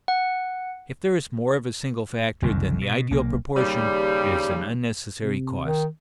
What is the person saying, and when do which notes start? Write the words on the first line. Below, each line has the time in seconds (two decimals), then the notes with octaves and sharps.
If there is more of a single factor than the ideal proportion, it is an unnecessary cost.
0.08 F#5
2.42 F#1 C2 F2 D#3
2.81 B2
3.11 B1 A#3
3.57 D#2 C#3 G3
5.23 C3
5.62 D#3